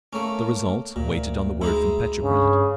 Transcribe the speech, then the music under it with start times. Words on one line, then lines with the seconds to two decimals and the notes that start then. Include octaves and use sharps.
The result waited on the word from Petrograd....
0.13 A3 A#3 C#4
0.96 D2 A#2
1.61 G#3 D#4 E4
2.22 G2 C#3